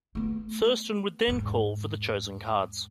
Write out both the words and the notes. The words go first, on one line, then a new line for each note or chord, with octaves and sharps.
Thurston would then call for the chosen cards.
A3 B3
E2 G#2